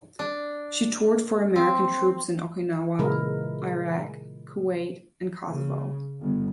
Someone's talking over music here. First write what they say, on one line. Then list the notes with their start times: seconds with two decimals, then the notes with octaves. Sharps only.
She toured for American troops in Okinawa, Iraq, Kuwait and Kosovo.
0.19 D4
1.56 C4
2.99 A#2 C#3 E3 G#3 E4 A#4
5.50 C#3
6.20 G1